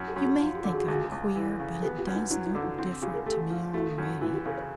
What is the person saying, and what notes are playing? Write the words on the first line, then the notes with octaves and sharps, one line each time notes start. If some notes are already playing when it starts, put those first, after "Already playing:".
"You may think I'm queer, but it does look different to me already!"
Already playing: F#2
G4 A4
F#2
F#4 G#4
F3
F4 G4
D3
F#4 G#4
C#2
C#2
E3
C#3
B3 G4 A4
F4 G4
F#2
D#4 F4
F#3 D4 E4
E4 F#4
D3
D#4 F4
C4 E4 F#4
C#3 F4 G4
G#4 A#4
A3 G4 A4
F3
A3 E4 F#4
F#2
E3 E4 F#4
F4 G4
C#3 A4 B4
B4 C#5